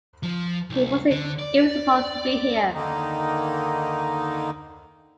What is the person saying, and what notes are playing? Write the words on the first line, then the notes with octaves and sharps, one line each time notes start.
He wasn't even supposed to be here.
F3
C2
D3
D5
D3 D#3 A#3 D#4